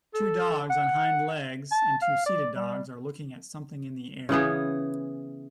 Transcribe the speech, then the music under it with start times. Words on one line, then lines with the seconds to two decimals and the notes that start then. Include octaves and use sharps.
Two dogs on hind legs and two seated dogs are looking at something in the air.
0.14 A4
0.70 F#5
1.72 A5
2.02 F5
2.26 D5
2.56 G3
4.29 C#3 E3 B3 G#4